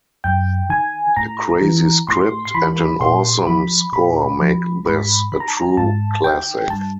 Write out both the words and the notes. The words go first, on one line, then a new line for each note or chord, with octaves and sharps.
A crazy script and an awesome score make this a true classic.
F#2 G5
D#3 G#5
A2 A#5
E3
A2 C6
C6
E3 B5
A#2 C6
F3 B5
A#2 B5
F3
G#2 B5
D#3 B5
A#5
A5
A#5
G#2 A5
D#3 G5
G2 A5